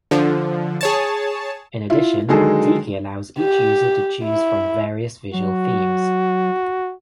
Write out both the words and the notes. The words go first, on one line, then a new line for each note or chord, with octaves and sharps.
In addition, Tiki allows each user to choose from various visual themes.
D3 F3
G#4 C#5 A5
E4 F4
D3 D#3 F#3 G#3 G#4 A4
G4
E4
F#3 F#4